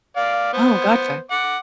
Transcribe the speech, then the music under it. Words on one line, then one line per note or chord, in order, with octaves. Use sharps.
Oh, gotcha.
D5 F5
B3 C5
F#5 D6